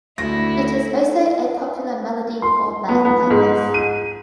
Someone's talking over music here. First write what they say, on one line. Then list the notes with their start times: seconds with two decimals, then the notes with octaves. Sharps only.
It is also a popular melody for bagpipers.
0.18 D2 A3 E4 A#6
2.42 C6
2.89 B3
3.05 B3
3.30 G#2
3.74 D#7